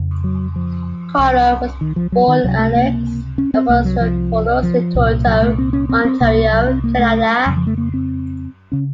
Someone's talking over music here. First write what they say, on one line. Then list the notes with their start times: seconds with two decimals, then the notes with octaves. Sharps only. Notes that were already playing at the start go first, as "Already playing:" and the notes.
Carter was born Alex Apostolopoulos in Toronto, Ontario, Canada.
Already playing: F2 C#3
0.24 F#3
0.56 F3
1.18 C2 C3
1.81 D#3
1.96 F3
2.12 F#3
2.28 D#3
2.44 C#2 C3 F#3
2.59 A3
2.75 A#3
3.38 C#4
3.54 C4
3.69 C2 C3 A#3
3.85 F#3
4.01 F3
4.63 F3
4.95 C2 A#2
5.26 F#3
5.43 A3
5.58 C4
5.73 C#4
5.89 C4
6.05 C4
6.21 C2 C3 A#3
6.52 F#3
6.67 C4
6.84 A#3
6.99 A3
7.46 F2 F#3
7.50 C#3
7.57 F3
7.67 A3
7.78 A#3
7.94 C4
8.72 C#3 C#4